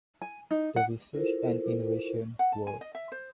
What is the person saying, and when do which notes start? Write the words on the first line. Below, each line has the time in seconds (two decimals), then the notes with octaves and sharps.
The research and innovation world.
0.22 G#5
0.51 D#4
0.76 F#5
1.13 E4 F4 A4 A#4 C5
2.39 F#5
2.52 A5
2.67 G#5
2.81 D#5
2.95 E5
3.12 C5